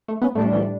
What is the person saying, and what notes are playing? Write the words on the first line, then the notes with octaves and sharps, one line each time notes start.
Oh, cool.
A3
B3
A2 G3 A3 D4
E3